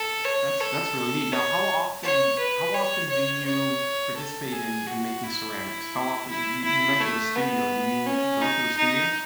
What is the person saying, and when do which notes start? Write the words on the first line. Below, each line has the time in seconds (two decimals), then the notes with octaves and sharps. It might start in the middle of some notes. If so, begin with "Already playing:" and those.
That's that's really neat. Now, how often uh, how often do you participate in in making ceramics? How often do you you mentioned a studio. Do you go to a studio?
Already playing: A4
0.25 C#5
0.61 A4
1.32 C#5
2.03 C#5
2.39 B4
2.74 C#5
3.09 C#5
3.45 C#5
4.16 A4
4.52 G#4
4.87 F#4
5.23 E4
6.29 E4
6.64 E4
7.00 A3
7.35 B3
8.06 C#4
8.42 D#4
8.77 D#4